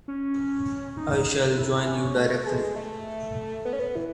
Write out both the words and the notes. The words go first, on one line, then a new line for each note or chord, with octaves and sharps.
I shall join you directly.
C#4
D#4
E4
C#4
A3
G#3
A3
B3
C#4
B3
E3